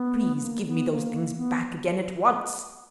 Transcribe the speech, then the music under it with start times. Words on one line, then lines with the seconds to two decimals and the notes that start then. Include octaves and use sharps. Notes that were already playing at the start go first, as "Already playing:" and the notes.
"Please give me those things back again at once!"
Already playing: B3
0.37 B3
0.42 A#3
0.66 B3
0.90 A#3
1.37 B3